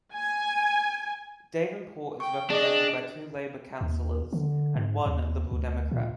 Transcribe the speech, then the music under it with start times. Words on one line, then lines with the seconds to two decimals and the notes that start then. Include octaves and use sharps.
Davenport is represented by two Labour councillors and one Liberal Democrat.
0.14 G#5
2.20 G5 C#6
2.50 D4 G#4 D#5
3.81 D#2
4.33 D3
4.76 G#2
5.06 D#2
5.52 D2
5.92 A#2